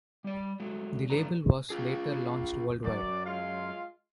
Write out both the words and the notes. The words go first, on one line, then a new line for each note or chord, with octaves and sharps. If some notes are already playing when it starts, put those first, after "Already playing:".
The label was later launched worldwide.
G3 D5
F#3 G#3 A3
G#2 E3 A3 B4 D5 A#5
F4 G#4
F#2 F#4 D5
G#3 F4 F5